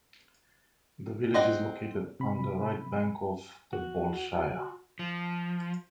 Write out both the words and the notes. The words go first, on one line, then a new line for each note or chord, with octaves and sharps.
The village is located on the right bank of the Bolshaya.
C4 D#5 F#5
C3 B5
F#4
F3